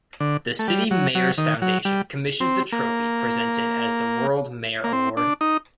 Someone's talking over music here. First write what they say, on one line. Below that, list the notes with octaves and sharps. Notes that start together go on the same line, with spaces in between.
The City Mayors Foundation commissions the trophy presented as the World Mayor Award.
D3
A3
G3
F#3
F#3
D#3
F#3
G3
C4
A#3
A#3
C4
D4
D#4